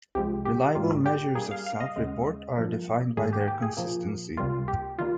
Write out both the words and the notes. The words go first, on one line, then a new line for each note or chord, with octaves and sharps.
Reliable measures of self-report are defined by their consistency.
C2 C3 F3 G#3 G4
G4
G#2 G3 A#3 F4
G4
G2 G3 A#3 G#4
F5
F5
D#5
D#2 C#3 G#3
G2 F3 A#3
G#2 D#3 A#3 G#4
G4
G4
G#4
A#2 F3 A#3
C#2 C3 G3 A#3 F4
G4
D#3 G3 A#3 F4